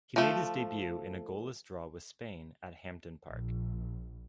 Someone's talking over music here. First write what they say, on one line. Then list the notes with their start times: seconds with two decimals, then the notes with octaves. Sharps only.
He made his debut in a goalless draw with Spain at Hampden Park.
0.16 F3 A3
3.30 A#1